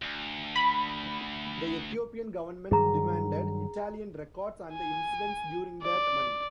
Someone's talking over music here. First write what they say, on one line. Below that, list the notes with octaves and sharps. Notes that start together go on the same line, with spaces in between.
The Ethiopian government demanded Italian records on the incidents during that month.
D2
B5
G2 D#3 F#3 G#4 A#5
G#5
D5